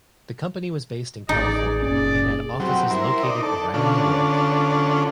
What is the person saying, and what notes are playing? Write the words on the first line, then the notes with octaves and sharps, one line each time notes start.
The company was based in California and had offices located around the world.
A1 D#4 G#4 D5
F#1 A#2 C#4 D5
F#3 G3 C4
E4 A#4 C5
D#4 D5
A4 D5
D3 C#4 D4 F4 A4